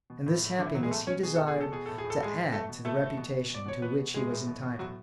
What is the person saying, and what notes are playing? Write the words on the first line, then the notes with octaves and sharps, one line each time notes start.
And this happiness he desired to add to the reputation to which he was entitled.
B2
A2
A2
A2 D3 D4
E3 E4
A2 F#3 F#4
G#3 G#4
B2 A3 A4
B2 C#4 C#5
B2 G#4
B2 A4
G#4
B2 A4
B2 G#4
A2 A4
G#4
A2
A4
A2 G#3 G#4
A2
B2 A3 A4
B2
A2 A3 A4
A2
B2
B2
B2 D5
B2 C#5
B2 B3 B4
B2
A2 G#3 G#4
A2
B2
B2
A2 F#3 F#4